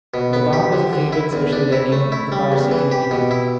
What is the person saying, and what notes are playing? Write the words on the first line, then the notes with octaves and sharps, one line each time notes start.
The park was a favourite social venue of the Parsi community.
B2
B3
G4
D3
D3
E4
E2
D4
E4
A3
E4
G3
E2
E3
G4
B2
E4